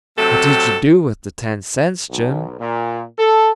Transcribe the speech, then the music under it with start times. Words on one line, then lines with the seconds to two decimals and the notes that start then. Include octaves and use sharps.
"What did you do with the ten cents, Jim?"
0.17 C3 F#3 A3 C4 A4
2.11 B1
2.60 A#2
3.19 A4